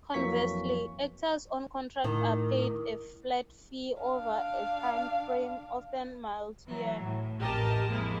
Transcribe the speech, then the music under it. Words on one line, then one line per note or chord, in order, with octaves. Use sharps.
Conversely, actors on contract are paid a flat fee over a timeframe-often multi-year.
F2 E3 F#3 A#3 C#6 B6
A2 D#3 E4 A#4 D6
D4 F5
E3 F#3
A2
A1 F2 G4 A#4 D#5 A5
F2 G#3 A#3 E4